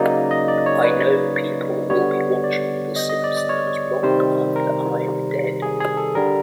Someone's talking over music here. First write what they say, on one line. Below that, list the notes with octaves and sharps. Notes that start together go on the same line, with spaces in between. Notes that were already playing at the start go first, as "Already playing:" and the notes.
I know people will be watching "The Simpsons" long after I'm dead.
Already playing: C#3 F#3 A#3 D#4 D5
D#5
D5
C#5
B4
D3 G3 B3 C#5
D5
D#5
D#5
D5
D5
C#5
C3 D#3 G3 C5
A#4
G#4
G#4
A4
D3 G3 A#4